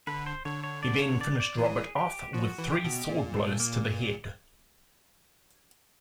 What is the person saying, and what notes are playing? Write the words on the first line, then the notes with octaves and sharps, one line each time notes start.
He then finished Robert off with three sword blows to the head.
D3 B4
C5
D3 C#5
C#5
D5
C#5
D5
D5
E3 G#4
G4
F3 F#4
E3
G4
B2
A#2
A3
A#3